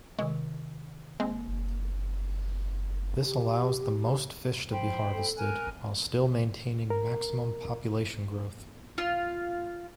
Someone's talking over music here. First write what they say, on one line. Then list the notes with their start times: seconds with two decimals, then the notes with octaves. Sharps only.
This allows the most fish to be harvested while still maintaining maximum population growth.
0.19 C3 D#3 G#3
1.20 G#3 A#3 C4
3.25 G4
4.71 F3 C5 G5 B5
5.12 A4
5.36 A#4 G#5 F#6
6.90 A#4
8.98 F4